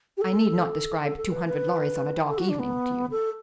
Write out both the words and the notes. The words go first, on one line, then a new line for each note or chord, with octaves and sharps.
I need not describe two-hundred-lorries-on-a-dark-evening to you.
G4
A4
A4
A4
B4
B4
A4
F#4
D4
B3
A4